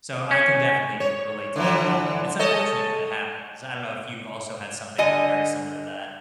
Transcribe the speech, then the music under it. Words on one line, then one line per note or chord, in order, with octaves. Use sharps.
So, I can definitely r relate to that kind of thing. It's unfortunate when it happens. I don't know if you've also had something very similar to that.
C#4
C#5
D3 E3 F3
A4 C#5 D#5
D3 D#5 G#5